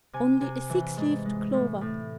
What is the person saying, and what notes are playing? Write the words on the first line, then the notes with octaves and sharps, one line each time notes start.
Only a six-leaved clover!
C3 G#5
C3 G#5
E3
G#2
G#3
A2
A2